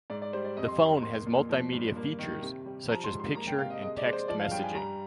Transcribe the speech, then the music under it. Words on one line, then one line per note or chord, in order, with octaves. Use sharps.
The phone has multimedia features such as picture and text messaging.
G#2 D5
D5
G3 C5
D5
F2 D#5
C6
F2 A#5
A#5
A#3 C6
A#2
F3
G2
A#3
D#3
C3
G3
F3 A#5
C6
G#2
C6
A#3 A#5
G5
C3 F5
D#5
G#3 D#5
D5
G#3
C5
F3 D5
F5
G2 G5
G#5
G3 A#5